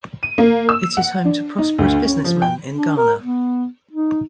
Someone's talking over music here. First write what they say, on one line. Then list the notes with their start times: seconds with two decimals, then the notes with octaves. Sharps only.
It is home to prosperous business men in Ghana.
0.23 D#7
0.38 A#3
0.69 E6
0.97 F#5
1.25 D4
1.58 D#4
1.78 D2
2.04 C#4
2.24 F3
2.42 G5
2.76 D4
2.97 A#4
3.21 B3
3.93 D#4